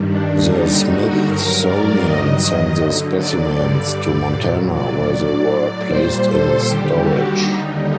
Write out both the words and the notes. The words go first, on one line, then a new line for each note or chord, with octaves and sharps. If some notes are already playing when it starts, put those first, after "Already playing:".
The Smithsonian sent the specimens to Montana, where they were placed in storage.
Already playing: G2 D#3 G3
D4
D#2 D3 G3 D#4
F#4
G2 F#3 A#4
D5
G2 D#3 F#3 D#5
D#2 D3 F#3
D5
G2 D3 G3 D5
A#2 F#3
D5
A2 F#3
D5
A#2 G3 C5
A4
D#2 D3 G3 G4
F#4
D#2 D3 G3 D#4